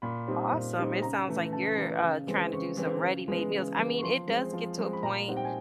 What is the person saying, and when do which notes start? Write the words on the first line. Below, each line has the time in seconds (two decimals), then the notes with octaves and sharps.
awesome. It sounds, like, you're, uh, trying to do some ready-made meals. I mean, it does get to a point,
0.02 A#2 B5
0.27 G3 C4 D#4
0.52 A#2
0.77 G3 C4 D#4
1.02 C#3 A#5
1.28 E3 A3
1.52 C#3 A5
1.77 E3 A3
2.02 C#3
2.27 E3 G#3 C4
2.53 C#3 C#6
2.77 E3 G#3 C4
3.02 C#3
3.28 E3 G#3 B3
3.52 C#3
3.77 E3 G#3 B3
3.98 C#6
4.03 F3 C6
4.27 G#3 C4
4.53 F3
4.78 G#3 C4
4.93 B5
5.03 A#2 A#5
5.28 G3 C4 D#4 F#5
5.37 G5
5.45 G#5